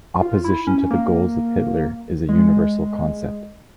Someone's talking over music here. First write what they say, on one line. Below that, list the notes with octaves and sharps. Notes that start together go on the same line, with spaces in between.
Opposition to the goals of Hitler is a universal concept.
F4
E4
C#4
A#3
G#3